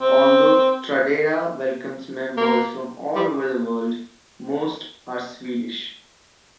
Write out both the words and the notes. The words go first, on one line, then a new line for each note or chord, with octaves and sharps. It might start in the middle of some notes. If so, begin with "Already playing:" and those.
Although Tradera welcomes members from all over the world, most are Swedish.
C4
A#3
G3